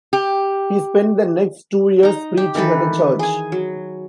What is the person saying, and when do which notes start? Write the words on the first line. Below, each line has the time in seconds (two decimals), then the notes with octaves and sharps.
He spent the next two years preaching at a church.
0.13 G4
2.03 D#4 A#5
2.37 G4
2.55 D#3 E3 A4 B4
3.19 G#4 G#5
3.52 F#3